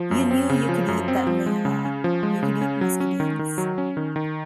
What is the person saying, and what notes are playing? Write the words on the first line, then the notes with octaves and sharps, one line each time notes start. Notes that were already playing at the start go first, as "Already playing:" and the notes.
You knew you could eat that mayhaw, you could eat muscadines.
Already playing: F3
F#2
C4
C#3
F3
F#2
C4
F3
G#3
C#3
C#4
F3
G#3
C#3
C#4
F#3
C#4
D#3
D#3
F#3
C#4
D#3
D#3